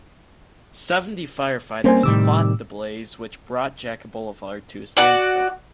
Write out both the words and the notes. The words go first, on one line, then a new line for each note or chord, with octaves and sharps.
Seventy firefighters fought the blaze which brought Jacka Boulevard to a standstill.
G3 A#3 C4 C#4 C5 G#5
A2 C3 D#3 G3 D6 E6
F#4 D5